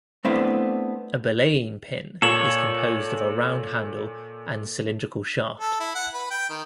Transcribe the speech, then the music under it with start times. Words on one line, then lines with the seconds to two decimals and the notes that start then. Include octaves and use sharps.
A belaying pin is composed of a round handle and cylindrical shaft.
0.25 A3 B3 C4 D4 E4 F5
2.22 A#2 A4 C#5 E7 F#7
5.60 A4
5.80 E4
5.95 F#5
6.14 B4
6.30 G5
6.50 D#3